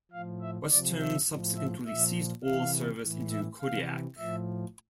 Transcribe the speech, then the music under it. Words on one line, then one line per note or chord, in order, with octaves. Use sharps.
Western subsequently ceased all service into Kodiak.
A2 F3 F5
E5
C3 F3 D5
E5
A2 F3
E5
A#2 F3 E5
C3 E3 F5
A2 E3
E5
C3 E3 F5
A2 F3 E5